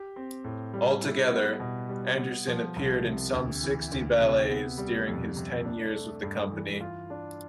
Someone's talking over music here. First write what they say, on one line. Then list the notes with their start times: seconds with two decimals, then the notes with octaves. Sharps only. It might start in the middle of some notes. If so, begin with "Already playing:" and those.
Altogether, Andersen appeared in some sixty ballets during his ten years with the company.
Already playing: G4
0.16 C4
0.44 A2
0.74 G3
1.02 E4
1.32 B3
1.60 B2
1.89 G3
2.18 B3
2.47 F3
2.76 C2
3.05 C3
3.33 D2
3.63 E3
3.92 D2
4.20 C3
4.49 B3
4.78 G3
5.07 F2
5.37 C3
5.65 D4
5.94 A3
6.23 G2
6.52 E3
6.80 F4
7.10 D4